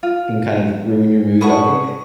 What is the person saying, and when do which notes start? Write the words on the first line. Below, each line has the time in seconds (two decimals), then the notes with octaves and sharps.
can kind of ruin your mood, I think
0.03 F4
1.41 G#4 B4 F#5 A5 C#6 D#6